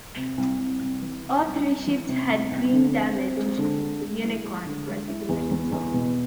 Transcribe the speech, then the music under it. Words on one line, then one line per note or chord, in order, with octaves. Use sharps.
All three ships had been damaged, "Unicorn" particularly so.
C3
C2
C2
C2
E3
C3
C2
C2
E3
C3
C2
C2
D3
C4
C4
G#3
D3
G#3
G#3
E4
G#3
D3
G#3
E4
E2
E2
E2
B2